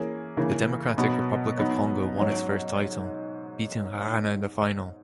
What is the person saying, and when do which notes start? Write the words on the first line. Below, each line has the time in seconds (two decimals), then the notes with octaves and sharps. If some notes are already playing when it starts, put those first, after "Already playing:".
The Democratic Republic of Congo won its first title, beating Ghana in the final.
Already playing: E3 A#3 C#4 G#4
0.37 C#3 E3 A#3
0.98 B2 F#3 B3 F#4
1.57 F#3 B3 D#4
2.17 G#2 F#3 C#4